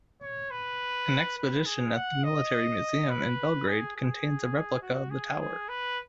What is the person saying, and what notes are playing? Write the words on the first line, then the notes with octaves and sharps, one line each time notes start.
An exhibition at the Military Museum in Belgrade contains a replica of the tower.
C#5
B4
B4
G#4
F#5
D#5
B4
G#4
G#4
F#4
G#4
G#4
B4